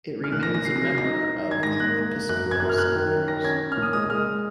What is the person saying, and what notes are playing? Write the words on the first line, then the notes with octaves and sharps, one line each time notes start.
It remains a member of the Episcopal seminaries.
F6
A#2 F#6
A#6
A#2
A#6
F#3 C7
A#6
F#3
C7
D#4 A#6
D#4
D#4
D#3 G#6
G#2 A#6
A#3 F#6
A#3
A#3
F#2 F#6
F#2
G#6
F#2 F#6
F6
F#2 F#6
D#3
C#4
D#3 A#6
C#4 G#6
C#4
F6
A#2
D#6
G#3 D#6
G#3 F6